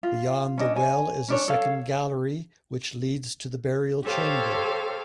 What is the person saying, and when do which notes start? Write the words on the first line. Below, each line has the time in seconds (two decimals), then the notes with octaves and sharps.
Beyond the well is a second gallery which leads to the burial chamber.
0.03 F4
0.58 C#4 D4 D#5
0.75 C#5 G#5
1.28 C#4 D4 C#5
1.48 A4 C#5 F5
4.05 G4 A4 C5 C#5 F5 G5